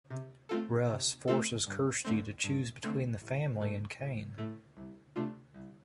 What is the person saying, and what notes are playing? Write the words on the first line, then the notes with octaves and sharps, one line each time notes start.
Rhys forces Kirsty to choose between the family and Kane.
C3
A3 C4 F4 A4
C3
A3 C4 F4 A4
G2
D3 A3 C4
G2
D3 A3 C4
A1
A2 A3
A1
A2 A3
C2
C3 A3 D4 F4
C2